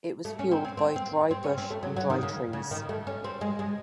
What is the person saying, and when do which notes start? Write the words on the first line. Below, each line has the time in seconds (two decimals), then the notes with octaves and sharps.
It was fueled by dry bush and dry trees.
0.25 A3
0.39 C#4
0.51 C4
0.65 C4
0.77 C4
0.96 C4
1.31 C4
1.44 C#4
1.58 C4
1.70 A3
1.83 F#3
1.96 F#3
2.10 D#3
2.23 C#3
2.53 C#3
2.71 D#3
2.89 A3
3.07 C#4
3.24 C4
3.41 G#3
3.59 G#3